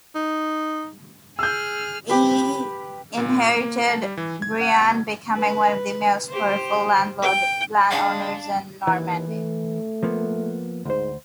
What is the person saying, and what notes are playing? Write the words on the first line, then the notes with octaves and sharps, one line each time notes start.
He inherited Brionne, becoming one of the most powerful landowners in Normandy.
D#4
G#4 E6 F6 G6
G4 B4
A#2
A#3
A5
G3
E3
G#6
F#5
B2
B4
G4 C5
G5
G#3 D4 F5
D#2 E3
A3
F3 A#3 B3
D2 G#2 C5